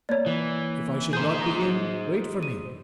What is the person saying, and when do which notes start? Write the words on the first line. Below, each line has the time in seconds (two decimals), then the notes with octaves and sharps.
"If I should not be in, wait for me."
0.09 A#3 C#5 D5
0.26 E3
1.13 G#4 C5 G6
1.41 A#5
2.43 D#7